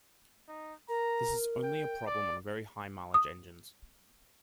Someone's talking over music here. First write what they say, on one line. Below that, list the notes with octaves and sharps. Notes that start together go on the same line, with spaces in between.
This is only a problem on very high mileage engines.
D#4
A#4 A#5
G5
D5
D#6